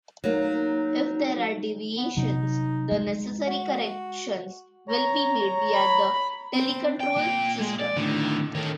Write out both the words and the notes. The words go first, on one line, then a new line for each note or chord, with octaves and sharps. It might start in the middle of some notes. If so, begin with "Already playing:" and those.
If there are deviations, the necessary corrections will be made via the telecontrol system.
F#3 A#3 D#4
B3
C3 F#3 D#4
G#3
F#4
C#5 A#5
C#5
B5
C4
G5
A#2
G#3
D5
A2 D3 D#3
D#3 C#4 A4